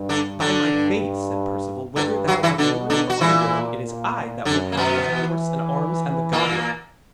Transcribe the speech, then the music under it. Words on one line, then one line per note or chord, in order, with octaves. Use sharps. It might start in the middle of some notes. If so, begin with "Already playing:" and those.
'By my faith,' said Perceval, 'whether thou art willing or unwilling, it is I that will have thy horse and arms and the goblet.'
Already playing: G2
D3 D4
D3 D4
G2
G2 D3 D4
F#3 F#4
E3 E4
B2 D3 D4
D3 D4
F#4
A#2 E3 E4
A#2
F#2 D3 D4
A#3
B2 B3
E3
A#2 A#3